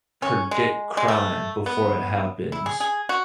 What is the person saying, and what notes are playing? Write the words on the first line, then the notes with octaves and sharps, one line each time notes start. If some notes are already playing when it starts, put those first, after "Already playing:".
predict crime, before it happens.
C#4
G#3
G#3
A3
B3
E4
G#4
G#4
F#4